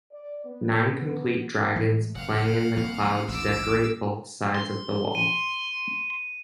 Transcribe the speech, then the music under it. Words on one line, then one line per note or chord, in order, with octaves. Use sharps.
Nine complete dragons playing in the clouds decorate both sides of the wall.
D5
B3
B3
A2 E3 G#3
F#1 F5 F#5
C2 F3 A#3
A1 D#2 G#2 D6 E6
C6
D#7